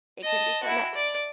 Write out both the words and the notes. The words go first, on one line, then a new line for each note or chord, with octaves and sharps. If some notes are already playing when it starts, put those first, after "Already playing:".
it can become a
D#5 A5
E4 F#4
D5